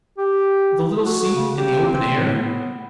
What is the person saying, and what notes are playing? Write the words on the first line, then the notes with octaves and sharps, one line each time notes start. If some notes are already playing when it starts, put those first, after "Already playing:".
The little seat in the open air?
G4
F#4
C#3
G4
C4
A2
B3